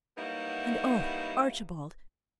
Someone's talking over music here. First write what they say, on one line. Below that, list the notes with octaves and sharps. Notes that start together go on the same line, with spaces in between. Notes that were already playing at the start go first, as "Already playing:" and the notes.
And, oh, Archibald!
F#3 G3 A#3 B3 D#4 E4